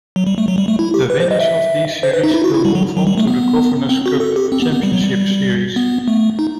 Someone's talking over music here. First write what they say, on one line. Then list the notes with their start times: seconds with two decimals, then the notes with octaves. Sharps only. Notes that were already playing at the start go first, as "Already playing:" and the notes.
The winners of these series will move on to the Governors' Cup Championship Series.
0.16 F#3
0.27 G3
0.38 A3
0.48 F#3
0.58 G3
0.68 A3
0.79 E4
0.94 G4
1.10 B4
1.20 C5
1.31 D#5
1.40 E5
2.03 C5
2.13 B4
2.24 D#4
2.34 E4
2.44 F#4
2.54 E4
2.65 G3
2.75 F#3
2.97 F#3
3.07 G3
3.18 A3
3.27 B3
3.89 C4
4.06 F#4
4.20 A4
4.36 G4
4.52 C4
4.62 B3
4.73 B3
4.83 G3
4.93 F#3
5.04 G3
5.76 B3
6.08 A3
6.39 D#4